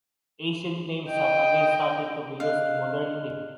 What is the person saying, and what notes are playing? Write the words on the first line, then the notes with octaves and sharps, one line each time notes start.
Ancient names have again started to be used in modernity.
D#5 G5
D#5 F5 F6 F#6